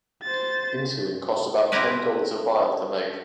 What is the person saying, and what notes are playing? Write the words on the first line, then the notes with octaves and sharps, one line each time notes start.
Insulin costs about ten dollars a vial to make.
C5 A6
C4 E4 G4 A#4 B4